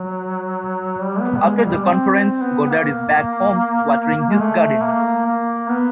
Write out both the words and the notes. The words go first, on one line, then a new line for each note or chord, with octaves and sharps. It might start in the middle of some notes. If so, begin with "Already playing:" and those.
After the conference, Godard is back home, watering his garden.
Already playing: F#3
G3
B3
G3
G#3
G#3
G3
C4
C4
B3
A#3
G#3
A3
A#3
A#3
B3